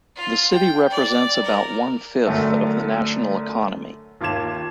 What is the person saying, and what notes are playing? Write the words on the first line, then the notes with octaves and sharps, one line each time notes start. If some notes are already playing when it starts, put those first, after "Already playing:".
The city represents about one fifth of the national economy.
F4
G5
D5
A#4
F#2 D3 A3 A4 E5
D#2 F4 A5 D6 G#6 E7